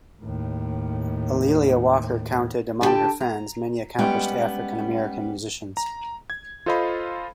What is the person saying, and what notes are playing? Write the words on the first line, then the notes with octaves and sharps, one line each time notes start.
A'Lelia Walker counted among her friends many accomplished African American musicians.
D#2 A2
D3 E4 G4 G5 A5
A#5
G3 G#3 B3 C#4 G5
A#5
G#6
F4 A4 C5 D#5 F5 B5